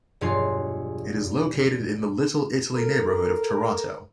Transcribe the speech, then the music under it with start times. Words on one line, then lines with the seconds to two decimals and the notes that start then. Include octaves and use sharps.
It is located in the Little Italy neighbourhood of Toronto.
0.21 E1 G2 F#3 F4 G#5 C7
2.75 A4 A#4